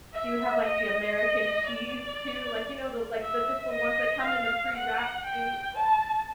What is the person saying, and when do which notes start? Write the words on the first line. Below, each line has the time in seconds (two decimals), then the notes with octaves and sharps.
She would have like the American cheese, too. Like, you know, the like, the just the ones that come in the pre-wrapped thing. Ooh.
0.13 E5
0.64 D#5
1.16 D#5
1.67 D5
3.20 E5
3.71 D#5
4.22 F5
4.74 F#5
5.25 G5
5.77 A5